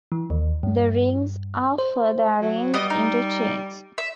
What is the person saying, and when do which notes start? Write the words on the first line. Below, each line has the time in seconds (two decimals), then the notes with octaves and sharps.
The rings are further arranged into chains.
0.12 E3
0.30 D#2
0.63 G2
1.78 C5
2.41 F#3
2.74 G3 B3 D#5
2.90 D#4
3.98 E5